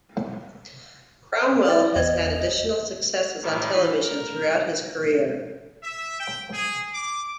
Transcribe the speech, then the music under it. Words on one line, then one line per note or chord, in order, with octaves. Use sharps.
Cromwell has had additional successes on television throughout his career.
E4 D5 G5 A6
G1 E2 D#5 G#6
A2 D#3 G3
E3 B4
A#4
E5
G5
G#4
D6